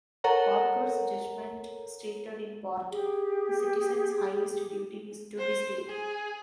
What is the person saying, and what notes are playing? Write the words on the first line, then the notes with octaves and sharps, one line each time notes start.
Parker's judgment stated in part "the citizen's highest duty is to the State".
A4 A#4 C#5 F#5 A#5
G4 G#4
C5
G#4